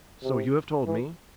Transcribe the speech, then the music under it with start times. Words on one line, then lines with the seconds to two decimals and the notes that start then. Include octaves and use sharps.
"So you have told me."
0.24 C3
0.86 E3